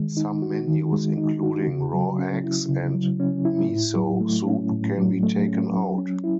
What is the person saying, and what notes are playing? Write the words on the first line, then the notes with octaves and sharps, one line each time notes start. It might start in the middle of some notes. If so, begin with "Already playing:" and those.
Some menus including raw eggs and miso soup can be taken out.
Already playing: D#3 G#3
D#4
F#4
D#3
G#3
D#4
F#4
C#3
F#3
C#4
E4
C#3
F#3
C#4
E4
A2
F#3
A3
C#4
A2
F#3
A3
C#4
F#3
C#4
E4